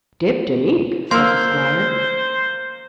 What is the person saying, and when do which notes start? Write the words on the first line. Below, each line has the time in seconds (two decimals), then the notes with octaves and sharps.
"Dipped in ink!" said the squire.
1.11 A#3 C5 C6 E6